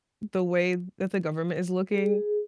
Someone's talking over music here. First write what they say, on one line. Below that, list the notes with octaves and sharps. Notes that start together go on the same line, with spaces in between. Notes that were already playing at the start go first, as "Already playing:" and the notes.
the way that the government is looking,
G#4